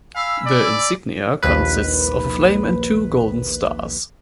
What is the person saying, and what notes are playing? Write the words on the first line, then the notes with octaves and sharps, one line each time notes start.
The insignia consists of a flame and two golden stars.
F5 G#5 B5 E6
D5
A#1 D#2 B4